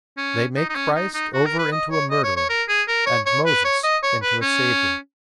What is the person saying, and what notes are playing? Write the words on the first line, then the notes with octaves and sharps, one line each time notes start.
They make Christ over into a murderer, and Moses into a savior.
C#4
D#4
D#4
C#4
D#4
D#4
F#4
A#4
B4
D#5
C#5
D#5
C#5
C#5
A#4
G#4
A#4
C#5
C#5
B4
C#5
D#5
C#5
B4
C#4